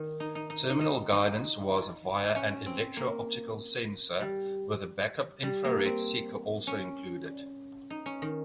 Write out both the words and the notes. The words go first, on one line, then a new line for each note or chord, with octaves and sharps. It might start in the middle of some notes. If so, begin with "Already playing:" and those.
Terminal guidance was via an electro-optical sensor, with a backup infrared seeker also included.
Already playing: D#3
D#4
D#4
D#4
D#4
D#4
D#4
C#4
C4
A#3
G3
G3
A#3
C4
C#4
D#4
C#4
D#3